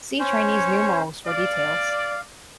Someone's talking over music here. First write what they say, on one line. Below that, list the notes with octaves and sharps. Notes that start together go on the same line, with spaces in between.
See Chinese numerals for details.
C#4 C5 C#5
D5 F5